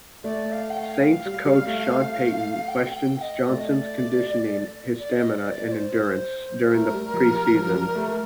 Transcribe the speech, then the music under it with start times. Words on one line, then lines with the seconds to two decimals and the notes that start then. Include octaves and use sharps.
Saints coach, Sean Payton, questioned Johnson's "conditioning, his stamina and endurance" during the preseason.
0.24 A3 D5
0.52 F5
0.70 G5
0.78 F5
1.26 G3
1.45 G3
1.67 A3
2.68 G5
2.95 G5
3.21 D#5
3.48 A3 D5
3.59 D#5
3.69 D5
5.00 D5
5.11 D#5
5.31 D5
5.46 D#5
5.51 D5
5.67 D5
5.72 C5
6.67 A4
6.73 A3 A#4
6.94 G3
7.14 F3
7.34 G3
7.54 F3
7.74 G3
7.95 A3